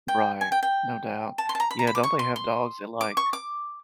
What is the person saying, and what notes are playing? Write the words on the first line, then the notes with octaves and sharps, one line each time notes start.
Right. No doubt. Yeah don't they have dogs that, like,
G5
G#5
G5
G5
A5
C6
A5
A#5
B5
A#5
B5
D6
C#6
C6
C6
D6
C#6
D6